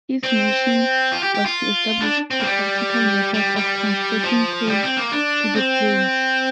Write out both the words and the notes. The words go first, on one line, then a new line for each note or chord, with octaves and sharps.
His mission was to establish a practical method of transporting coal to the plains.
C4
F4
G4
G4
F4
D4
C4
A#3
G3
G3
G3
F3
G3
C4
A#3
D4
C4